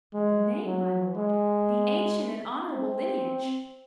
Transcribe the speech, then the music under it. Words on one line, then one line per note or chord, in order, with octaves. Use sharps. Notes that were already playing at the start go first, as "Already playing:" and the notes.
"But the name, my lord,--the ancient and honorable lineage!"
G#3
F#3
G#3
C4